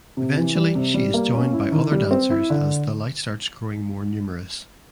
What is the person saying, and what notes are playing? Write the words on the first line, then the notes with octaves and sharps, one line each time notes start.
Eventually she is joined by other dancers as the light starts growing more numerous.
C3
E3
G3
C3
G3
A#3
C#4
E4
D#3
G3
C4
E4
D3